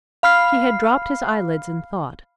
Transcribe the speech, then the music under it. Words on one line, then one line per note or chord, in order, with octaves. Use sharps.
He had dropped his eyelids in thought.
F5 B5 F6 C7